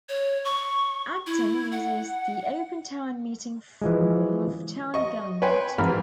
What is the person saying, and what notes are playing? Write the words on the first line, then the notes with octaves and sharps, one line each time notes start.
Acton uses the Open Town Meeting form of town government.
C#5
C#6
E4
F#5
E3 F3 G#3
D#5 C#6
B4 C#5 G5 G#5 C6
G#2 E3 C4 A#4 B5 F6